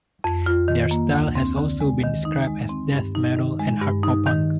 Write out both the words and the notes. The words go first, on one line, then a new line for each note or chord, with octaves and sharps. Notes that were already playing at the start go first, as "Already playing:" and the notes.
Their style has also been described as death metal and hardcore punk.
F2
F4
D#3
A#3
D2
C4
D3
G#3
D#3
D#4
G#3
C4
G2
D#4
D#3
G#3
G2
D#4
D#3